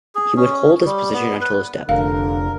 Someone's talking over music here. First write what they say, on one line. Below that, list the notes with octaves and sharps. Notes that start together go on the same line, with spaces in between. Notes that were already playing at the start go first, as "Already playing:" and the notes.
He would hold this position until his death.
G#4
C#4
G3
B3
B4
F1 D3 A#4 F5